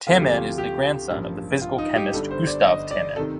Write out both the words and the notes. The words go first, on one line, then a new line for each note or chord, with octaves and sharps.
Tammann is the grandson of the physical chemist Gustav Tammann.
D2 C3 F3 A3 F4
G4
F4
G4
A1 G2 F3 A#3
F4
D#4
G4
G1 G2 D3 G3 A4
C5
D5
D#5
D5
C3 D#3 A3 A4